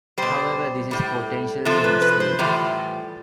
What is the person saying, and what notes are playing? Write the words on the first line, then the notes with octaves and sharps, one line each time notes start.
However, this is potentially misleading.
B2 G3 C5
A2 G3
C3 F3 A4
B4
B4
C5
A2 E3 G3 F4